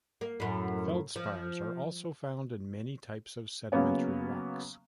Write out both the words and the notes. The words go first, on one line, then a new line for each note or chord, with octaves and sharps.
Feldspars are also found in many types of sedimentary rocks.
A#3
F#2 A2
F3
C#3 F#3 A#3 B3 C#4